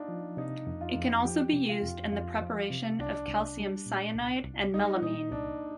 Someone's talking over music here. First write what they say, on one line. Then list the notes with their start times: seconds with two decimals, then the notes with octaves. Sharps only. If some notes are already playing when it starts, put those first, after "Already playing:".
It can also be used in the preparation of calcium cyanide and melamine.
Already playing: D4 D#4 F4
0.09 F3
0.37 C3 D#4
0.67 F2
0.81 F4
0.96 F2
1.25 F3 G4
1.54 C3
1.69 F4
1.83 F2
2.12 F2 F4
2.41 F3
2.70 C3
2.99 C2 D4
3.28 C2
3.57 G3
3.86 A#2
4.15 C2
4.44 C2
4.74 G3 D#4
5.02 A#2 D#4
5.32 C2 D4